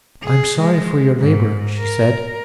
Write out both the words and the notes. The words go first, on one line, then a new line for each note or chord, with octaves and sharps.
"I am sorry for your labor," she said.
G#4
G#3
G#2
A#4